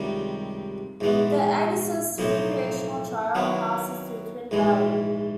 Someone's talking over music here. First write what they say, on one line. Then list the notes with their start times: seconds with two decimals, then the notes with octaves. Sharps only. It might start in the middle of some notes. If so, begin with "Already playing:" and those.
The Agassiz Recreational Trail passes through Twin Valley.
Already playing: C#2 C3 D#3 G3
1.01 A#1 G#2 E3 G#3 B3
2.18 B1 A2 F3 A#3 D#4
3.35 D#3 F#3 B3 E4
4.51 A#1 G#2 E3 G#3